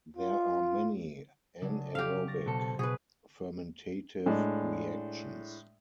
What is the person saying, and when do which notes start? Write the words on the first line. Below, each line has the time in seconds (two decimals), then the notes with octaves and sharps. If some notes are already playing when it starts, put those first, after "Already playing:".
There are many anaerobic fermentative reactions.
0.17 F4
1.62 C#3 F#3 D4
1.95 G4 F5
2.27 C#6 A6 A#6
2.46 B2 A4 C5
2.79 B2 G#4 B4
4.26 A2 G#3 D4 D5